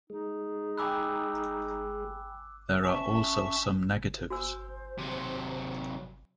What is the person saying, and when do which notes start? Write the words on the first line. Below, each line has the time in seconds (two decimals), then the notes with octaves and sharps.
There are also some negatives.
0.10 G#3 D#4
0.78 G5 G#5 B5 D6 E6 F#6
2.84 C#4 E5 A5 C#6
4.30 F#4 C5 G#5 E6
4.98 C3 F#3